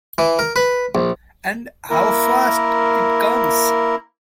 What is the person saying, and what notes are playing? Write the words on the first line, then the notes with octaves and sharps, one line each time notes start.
And how fast it comes!
E3
A#4
B4
A#1
A#3 E4 A#4